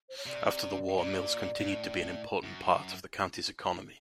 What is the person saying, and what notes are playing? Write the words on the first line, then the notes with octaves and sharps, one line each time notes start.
After the war mills continued to be an important part of the county's economy.
C5
C#5
C3 D5
A#2
A#2
A2
F#2